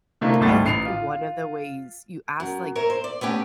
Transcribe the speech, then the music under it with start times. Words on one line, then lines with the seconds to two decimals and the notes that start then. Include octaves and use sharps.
I think one of the ways you ask, like,
0.21 C3 A3 A#3 D4 E4
0.41 G#1 D2 G3 A3 F#5 A6
0.65 A1 C7 F7
0.85 F4
2.40 F#2
2.75 A#4 C#5 E5
2.90 C5
3.04 D5
3.21 A3 B3 C#4 G4